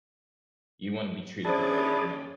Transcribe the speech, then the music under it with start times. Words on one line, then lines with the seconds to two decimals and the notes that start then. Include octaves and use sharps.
you wanna be treated the way, you know,
1.45 C#4 D4 E4 G#4 C5 D5 A5